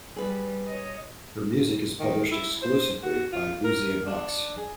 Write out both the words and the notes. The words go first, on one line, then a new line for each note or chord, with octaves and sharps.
Her music is published exclusively by Boosey and Hawkes.
G3 G#4 B4
C#5 D#5
D#3
E4
C5
F#4
F4
A#4
D4
G#4